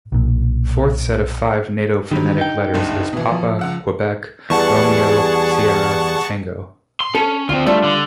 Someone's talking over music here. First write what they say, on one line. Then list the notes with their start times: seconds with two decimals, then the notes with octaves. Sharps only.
Forth set of five Nato phonetic letters is Papa, Quebec, Romeo, Sierra, Tango.
0.12 B1 A#2
2.11 D3 D#3 F#3 G3
2.38 D#4 G5
2.74 F#1 C2 G2
3.13 B2 E3
3.32 F3
3.59 C#2 F#5 E6
4.50 E2 E3 G3 G#4 F#5 A5 C#6
7.00 C6
7.15 C#4 A4
7.49 D2 C4 F4
7.67 G3 A3 D4 F4 A4
7.84 D3